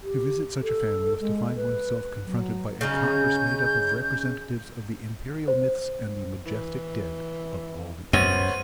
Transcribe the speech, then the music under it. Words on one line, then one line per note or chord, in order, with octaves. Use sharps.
To visit such a family, was to find one's self confronted by a congress made up of representatives of the imperial myths and the majestic dead of all the ages.
G4
A4
G#3
B4
F#3
C#3 C#4 D#4 G6
C5
E3
F#2 B3 C5 C#5 D#7